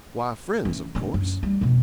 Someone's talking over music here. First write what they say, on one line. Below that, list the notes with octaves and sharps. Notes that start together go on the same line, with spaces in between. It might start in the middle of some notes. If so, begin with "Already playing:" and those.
'Why, friends, of course.
E3 C#4
D3 C#4
F#2
G3
F2 B2